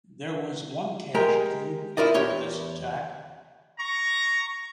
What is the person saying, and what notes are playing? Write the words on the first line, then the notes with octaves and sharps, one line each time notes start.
There was one casualty during this attack.
G#3 G4 A#4
E4 F4 A#4 D5 D#5
E2 G4 C#5 C6
A#5 C#6